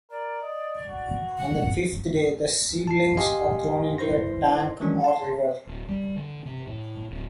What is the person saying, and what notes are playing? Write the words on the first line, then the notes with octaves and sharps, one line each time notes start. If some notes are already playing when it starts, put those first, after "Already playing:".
On the fifth day, the seedlings are thrown into a tank or river.
A#4 D5
D#5
F#4
F#5
A5 C7
G4 D#5 F5 G#5 C6
E4 B4 C5 C6 A#6
D#3 E3 F#3 G#3 C#4 D4
A5 C6
D1
G3
D3
C3
A2
D1